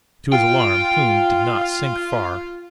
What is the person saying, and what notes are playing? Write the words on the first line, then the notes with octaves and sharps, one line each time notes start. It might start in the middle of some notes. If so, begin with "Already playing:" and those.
To his alarm, Kloon did not sink far.
F4 G5